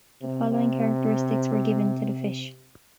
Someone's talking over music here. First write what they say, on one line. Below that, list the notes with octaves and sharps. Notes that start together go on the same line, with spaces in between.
The following characteristics were given to the fish.
C3
C3